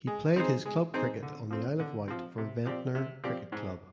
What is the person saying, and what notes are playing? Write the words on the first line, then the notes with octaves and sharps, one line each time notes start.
He played his club cricket on the Isle of Wight for Ventnor Cricket Club.
G#3
C4 D#4 G#4 C5
G#3
C4 D#4 G#4 C5
D3
F3 C4
D3
F3 C4
C3
F3 C4 G4 D5
C3
F3 C4 G4 D5
G#2